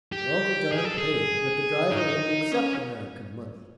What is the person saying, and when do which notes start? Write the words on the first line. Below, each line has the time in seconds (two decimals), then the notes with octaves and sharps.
Uncle John paid, but the driver wouldn't accept American money.
0.12 G4
0.72 G#4
0.85 A4
0.98 G#4
1.91 D#4
2.52 C#4